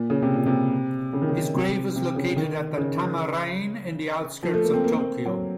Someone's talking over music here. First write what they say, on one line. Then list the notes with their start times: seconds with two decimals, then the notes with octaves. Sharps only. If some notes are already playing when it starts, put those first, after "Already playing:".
His grave is located at the Tama Reien in the outskirts of Tokyo.
Already playing: A#2
0.10 C#3
0.22 C3
0.34 A#2
0.46 C3
1.13 C#3
1.22 D#3
1.29 C#3
1.54 C3
1.96 C3
2.16 C#3
2.36 D#3
2.78 C#3
4.43 F3
4.54 A3
4.64 A#3
4.74 C4
4.84 A#3
4.93 C4
5.02 A#3
5.26 F#3